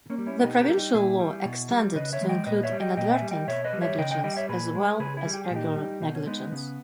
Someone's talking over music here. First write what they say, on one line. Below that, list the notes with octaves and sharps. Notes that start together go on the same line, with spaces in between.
The provincial law extended to include "inadvertent negligence" as well as regular negligence.
A#3 C#4
G3
C#4 E4
E4
B2 D#4 G4
G4 A#4
G3
D#4 G4
A#2 E4 G#4
G3
B2
G3
C#3 B4 D#5
C#5 E5
E3 G#3
D#5 G5
A#2 B4 D#5
C#5 E5
G3
D#5 G5
A#2 D#5 G5
E5 G#5
G3
D#5 G5
B2 C#5 E5
B4 D#5
G3
C#5 E5
C#3 D#5 G5
D#5 G5
G3 D#5 G5
C#5 E5
A#2 G#4 B4
G#3
C#3 G#4 B4
E4 G#4
G3
G4
G#4
A#2
D#4 G4
G3
B2 D#4
C#4
G#3 B3 D#4
C#3 B3